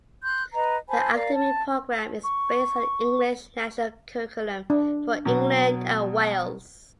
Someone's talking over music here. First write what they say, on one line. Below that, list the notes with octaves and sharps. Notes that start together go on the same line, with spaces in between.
The academic programme is based on the English National Curriculum for England and Wales.
C6 F#6 G6
B4 D#5 A#5
C5 G#5 A5 B5
A#4 D5 F5
A5
C#6
D4
B2 F#3